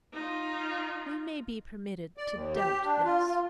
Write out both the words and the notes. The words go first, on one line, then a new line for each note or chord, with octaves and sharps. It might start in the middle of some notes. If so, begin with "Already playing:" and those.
We may be permitted to doubt this.
D#4 F4
D5
D#2
G4
D4
F4
F4